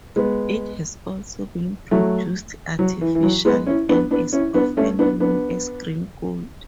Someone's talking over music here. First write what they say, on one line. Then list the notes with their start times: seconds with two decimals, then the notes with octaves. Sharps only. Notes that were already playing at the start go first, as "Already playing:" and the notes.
It has also been produced artificially, and is often known as green gold.
0.16 G#3 B3
1.91 F#3 A3
2.79 F#3
3.01 E3
3.15 E3
3.23 F#3
3.45 G#3 B3
3.67 C#4 E4
3.89 B3 D4
4.11 B3 D4
4.33 C#4 E4
4.54 B3 D4
4.77 A3 C#4
4.99 B3 D4
5.20 B3 D4